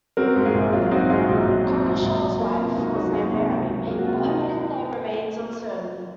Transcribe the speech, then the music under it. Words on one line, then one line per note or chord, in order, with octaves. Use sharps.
Coggeshall's wife was named Mary, but her maiden name remains uncertain.
C4 F#4 A#4
G#2
F4 G#4
A#1
F#3 F4
C4 D#4 F#4
G#2 F4 G#4
A#1 D#4 F#4
F#3
C4
G#2
A#1
F#3
A#3 F4
C3 F4
C#2 D#4 F#4
F#3 D#4 F#4
A#3 F4 G#4
C3 D#4 F#4
C#2
F#3
A#3 G#4
F#4
C3 F4
D#4